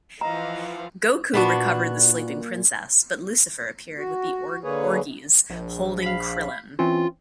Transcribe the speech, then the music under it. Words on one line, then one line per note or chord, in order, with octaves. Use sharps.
Goku recovered the Sleeping Princess, but Lucifer appeared with the orges, holding Krillin.
E3 F3 D#5 F5 F#5 A#5
A#2 B3 D4 F#4
F#4
D3 A#3 G#4 B4 C#5
A#1
F5 B5
E3 C4 C#4 F4